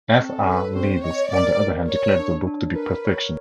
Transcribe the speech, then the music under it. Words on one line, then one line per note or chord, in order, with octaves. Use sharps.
F. R. Leavis, on the other hand, declared the book to be "perfection".
C4 A4
A4 B4
C4 C5
C#5 D#5
A#4 D5
A#4
A#4 C#5
D4
D4
A#4 B4
C#5